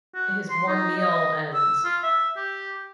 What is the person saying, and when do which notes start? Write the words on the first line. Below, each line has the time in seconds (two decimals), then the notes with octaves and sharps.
his warm meal and
0.14 F#4
0.50 C6
0.67 D#4
0.97 D#5
1.54 E6
1.85 F4
2.03 E5
2.36 G4